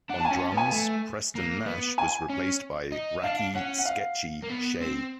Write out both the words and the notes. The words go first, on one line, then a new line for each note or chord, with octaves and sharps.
On drums, Preston Nash was replaced by Racci "Sketchy" Shay.
D4 F#5
A5
G#5
C#4
A5
B3
G#5
A3
A#3
B3
G#5
C#4
D#4
D4 F5
C#4 F#5
F#5
F5
A#3
B3
C4